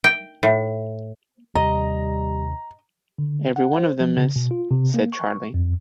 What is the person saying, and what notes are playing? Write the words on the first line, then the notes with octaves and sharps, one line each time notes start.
"Every one of them, miss," said Charley.
G5
A2
D#2 C3 G3 D#5 A#5
D3
F#5
C5
F3
C#3
B2
F4
C3
A#3
C#6
F2